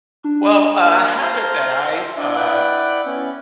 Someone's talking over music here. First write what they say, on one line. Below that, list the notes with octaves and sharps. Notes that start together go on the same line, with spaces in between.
Well, a habit that I, uh,
D4
A#3 G4 G6
C5 F5 A5 A#5 C6
C5 E5
D4 E4 D5 E5
E4 B4 D5 F#5 G5 F#6
B3 C#4 E4